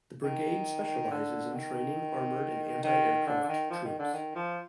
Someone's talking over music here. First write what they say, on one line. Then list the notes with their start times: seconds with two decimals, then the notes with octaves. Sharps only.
The brigade specialises in training armoured and anti-aircraft troops.
0.24 D#3
1.11 D3
1.54 D#3
2.84 D#3
3.27 D3
3.44 D3
3.48 D#3
3.70 F3
3.85 D#3
3.99 D3
4.13 D#3
4.35 F3